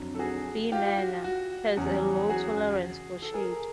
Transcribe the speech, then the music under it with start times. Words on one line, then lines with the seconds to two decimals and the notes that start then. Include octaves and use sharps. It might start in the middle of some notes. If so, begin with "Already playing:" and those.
"B. nana" has a low tolerance for shade.
Already playing: F2 D3 F#3
0.14 A4
0.19 F#4 G#4
0.72 F4 G4
0.98 F#4
1.24 F#4
1.76 E2 C#3 F#3
2.29 F#4 G#4
3.22 A4
3.34 G#4 A#4